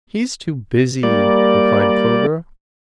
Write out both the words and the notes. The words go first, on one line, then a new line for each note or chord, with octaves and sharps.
"He's too busy," replied Clover.
G3 A#3 D5